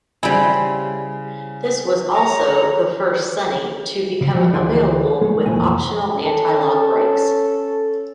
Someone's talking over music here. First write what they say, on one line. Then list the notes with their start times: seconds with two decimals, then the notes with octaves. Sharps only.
This was also the first Sunny to become available with optional anti-lock brakes.
0.23 C#3 G3 E4 C5 G#5 A#5
2.13 C#5 A#5
4.21 C#3
4.35 F3
4.53 D2 E3 G#4 D5 G#5 C6
5.21 G#3 A3
5.46 C2 F2 A#2 E3 G#5
6.14 C#4 A4